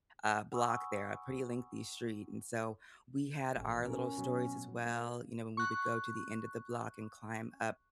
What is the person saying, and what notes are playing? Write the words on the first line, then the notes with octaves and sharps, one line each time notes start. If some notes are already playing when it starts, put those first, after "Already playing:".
uh, block there, a pretty lengthy street, and so we had our little stories as well, you know, when we would go to the end of the block and climb up,
F#5 G#5 B5 C#6 D#6 E6
A1
A#2 C#4 A#4
B2 F#3
A#3
C#6 F#6